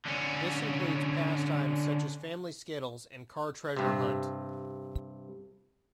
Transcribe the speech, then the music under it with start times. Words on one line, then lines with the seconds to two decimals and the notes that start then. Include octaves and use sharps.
This includes pastimes such as family skittles and car treasure hunt.
0.06 D3 C#4
3.77 G2 C3